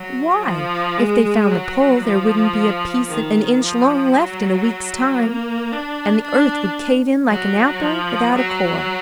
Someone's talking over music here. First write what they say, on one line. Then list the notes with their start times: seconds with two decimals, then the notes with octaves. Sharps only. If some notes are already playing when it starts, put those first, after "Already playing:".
Why, if they found the Pole, there wouldn't be a piece an inch long left in a week's time, and the earth would cave in like an apple without a core!
Already playing: F#3
0.46 F3
0.98 G#3
1.51 F#3
2.04 F3
3.09 D#3
3.62 F3
4.14 F#3
5.20 A#3
5.72 D4
6.24 D4
7.29 F#3
7.82 F3
8.35 F#3